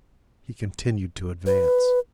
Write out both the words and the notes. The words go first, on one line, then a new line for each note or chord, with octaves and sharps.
He continued to advance.
B4